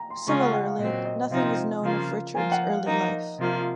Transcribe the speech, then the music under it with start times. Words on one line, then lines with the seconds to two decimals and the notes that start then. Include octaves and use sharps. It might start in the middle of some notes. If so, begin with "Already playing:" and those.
Similarly nothing is known of Richard's early life.
Already playing: A#5
0.10 C6
0.27 C#3 G#3 C#4 F4 C#6
0.40 F#5
0.54 F#5
0.66 F5
0.79 A#2 F#3 C4 D#5
1.05 D#5
1.31 C3 F3 C4 D#4 F5
1.83 C#3 F3 A#3 F4
2.35 F3 A#3 F4 G#5
2.52 F#5
2.70 F5
2.87 F3 A#3 D#4 D#5
3.38 C3 F3 A#3 F4